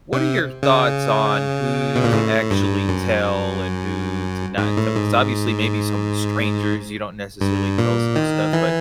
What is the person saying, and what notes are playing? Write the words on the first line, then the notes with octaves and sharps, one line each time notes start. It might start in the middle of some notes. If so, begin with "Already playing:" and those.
what are your thoughts on who to actually tell and who to not tell? 'Cause, obviously, maybe some strangers you don't necessarily tell some stuff, but
C3
C#3
B2
A#2
A2
G2
F#2
G#2
A2
G#2
G2
A#2
D#3
E3